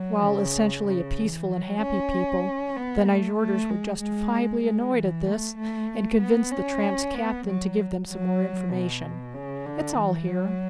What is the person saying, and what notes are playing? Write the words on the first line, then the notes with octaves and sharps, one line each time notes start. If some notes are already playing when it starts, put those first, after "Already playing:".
While essentially a peaceful and happy people, the Nyjorders were justifiably annoyed at this and convinced the tramp's captain to give them some more information. It's all here.
Already playing: F#3
C#3
C#3
E3
F#3
C#4
B3
A3
A3
G#3
G#3
G#3
E3
A3
A3
B3
C#4
B3
F#3
F#3
B2
C#3
D3
E3
F#3